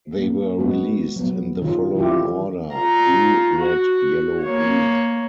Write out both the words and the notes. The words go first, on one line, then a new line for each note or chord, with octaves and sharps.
They were released in the following order: Blue, Red, Yellow, Green.
A#3
G#3 B3 F#4
F#3 B3
D#3 F4 G#4
E3 E4 F4 G4
F4 A#5
F#4
A#3 C#5